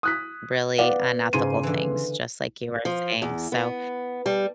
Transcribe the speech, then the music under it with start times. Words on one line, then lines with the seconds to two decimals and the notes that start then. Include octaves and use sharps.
really unethical things, just like you were saying, so
0.03 D#6 F#6 B6
0.78 B3 D5 F5 F#5
1.33 G#2 C#3 C6 D#7
1.63 D3 E3
2.85 F3
3.22 E2
3.52 B3
4.26 G3